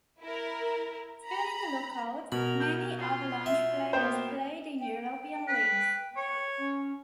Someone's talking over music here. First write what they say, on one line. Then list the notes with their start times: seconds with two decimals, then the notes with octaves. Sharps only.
During the lockout, many Avalanche players played in European leagues.
0.21 E4 A#4
1.27 A#5 B5
2.32 B2 A#4 A#5 B5
2.60 G6
2.98 F4 C6
3.46 E5
3.93 A#3 B3 C5 G5
4.80 G5
5.48 B4
6.16 C#5
6.58 C#4